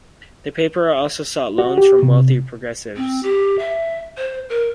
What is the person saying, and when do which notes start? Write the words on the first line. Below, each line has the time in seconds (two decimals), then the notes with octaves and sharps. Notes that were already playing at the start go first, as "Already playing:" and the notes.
The paper also sought loans from wealthy progressives.
1.58 F#4
1.78 G4
2.03 C3
2.96 C4
3.23 G4
3.59 E5
4.18 C5
4.49 A#4